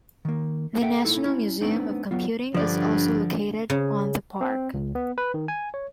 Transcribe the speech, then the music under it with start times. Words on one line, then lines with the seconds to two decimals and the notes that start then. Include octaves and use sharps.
The National Museum of Computing is also located on the Park.
0.25 D#3 A#3
0.81 A4 E5 F#5 G5
1.05 A#3 D#4 E4 A4
1.26 C#4 E4
1.61 A3 B3 C4 D4 D#4
2.11 F#3 B3 F4
2.54 G2 D3 F3 D5
3.70 C#3
4.41 C4
4.74 C#2
4.95 B3
5.18 B4
5.34 D#3
5.48 G#5
5.74 C#5